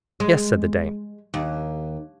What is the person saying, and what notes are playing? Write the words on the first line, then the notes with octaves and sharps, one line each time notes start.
"Yes," said the dame.
G#3
D#2